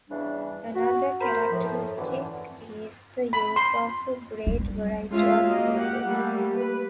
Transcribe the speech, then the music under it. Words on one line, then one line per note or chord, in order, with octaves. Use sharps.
Another characteristic is the use of a great variety of seafood.
E2 C#3 E3 G3 D4
F#4
A#4 C5 B5
A2 F3
F#2 A2 D3 E3
B5
C6
G3
G#3 A3 C#4 F4 E5 F5
A#3 F#4 D#5
G4 F#5
G3 A3 A#3 G4
B4